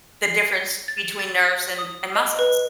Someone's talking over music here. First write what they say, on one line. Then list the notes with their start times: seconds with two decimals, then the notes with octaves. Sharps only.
the difference between nerves and and muscles.
0.23 C7
0.88 A6
1.19 A6
1.78 D#6
2.15 D#5
2.39 B4